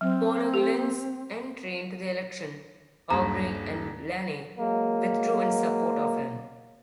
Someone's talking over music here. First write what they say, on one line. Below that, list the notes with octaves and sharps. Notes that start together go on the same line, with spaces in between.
Following Lynch's entry into the election, Haughey and Blaney withdrew in support of him.
F#3 C4
G4
D#1 G2 A#5
F#3 G#3 A#3